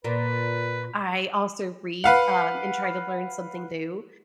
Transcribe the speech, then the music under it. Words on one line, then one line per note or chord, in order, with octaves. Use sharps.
I also read, um, and try to learn something new
A#2 B4
B4 F5 F#5